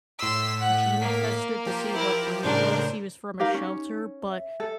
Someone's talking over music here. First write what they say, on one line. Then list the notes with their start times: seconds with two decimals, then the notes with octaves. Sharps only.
gene tested to see what breed he was, he was from a shelter, but
0.19 A2 C6 E6 B6
0.60 F#5
1.01 A#3
1.66 F3 G4
1.95 E4 A#4
2.43 A2 C#3 D4 A#4 C5
3.40 D#4 G4 A#4 F5
3.54 C#4
4.31 E5
4.60 A4